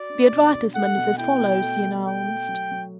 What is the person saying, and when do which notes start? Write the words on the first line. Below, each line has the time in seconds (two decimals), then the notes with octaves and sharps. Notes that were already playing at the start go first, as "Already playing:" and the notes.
"The advertisement is as follows," he announced.
Already playing: F#4 D5
0.10 D4
0.32 B2
0.54 D4
0.75 A3 F#5
0.97 B2
1.18 E4 G5
1.40 B2
1.62 A3
1.84 A3
2.06 A3 G5
2.27 A3
2.49 F#3
2.71 F#3